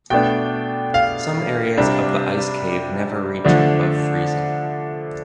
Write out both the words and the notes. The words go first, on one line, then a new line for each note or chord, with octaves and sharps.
Some areas of the ice cave never reach above freezing.
B2 A3 D4 G5
F5
C3 G3 D4
D3 F3 A3 D4